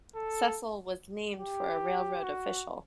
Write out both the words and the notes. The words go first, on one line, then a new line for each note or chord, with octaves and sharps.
Cecil was named for a railroad official.
A4
G4
F#4